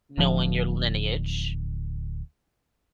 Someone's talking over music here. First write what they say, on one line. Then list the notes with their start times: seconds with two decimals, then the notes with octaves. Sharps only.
knowing your lineage,
0.18 D1 D2 F3